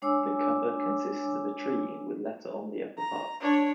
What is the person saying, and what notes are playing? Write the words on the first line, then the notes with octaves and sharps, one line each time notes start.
The cover consists of a tree with letter on the upper part.
G#3 D4 C#5 G#5 D6 E6
A#5
D4 C#5